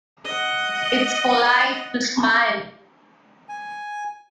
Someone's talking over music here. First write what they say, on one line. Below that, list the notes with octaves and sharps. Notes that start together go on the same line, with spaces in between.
It's polite to smile.
D#5 F#5
G#5